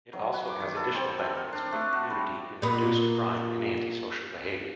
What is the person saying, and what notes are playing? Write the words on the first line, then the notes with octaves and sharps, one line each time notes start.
It also has additional benefits for the community in reduced crime and anti-social behaviour.
F#3
B4
D6
D#3
A4
C4
A4
A#4
D4
A3
F#4
G3
A#2 B3